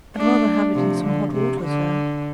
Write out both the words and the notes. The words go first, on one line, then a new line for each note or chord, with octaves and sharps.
"I'd rather have it in some hot water, sir."
A3 D4
C3 F3
D3
C3
D3